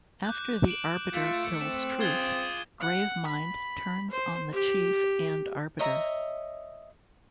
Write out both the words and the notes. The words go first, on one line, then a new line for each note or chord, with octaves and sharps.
After the Arbiter kills Truth, Gravemind turns on the Chief and Arbiter.
D6 F#6 G6
D7 E7 F#7
A3 F4
C4 E7
F4 G#4 G#6 G7
F#5
B5
C5
G4
C#5 D#5 E5 A#5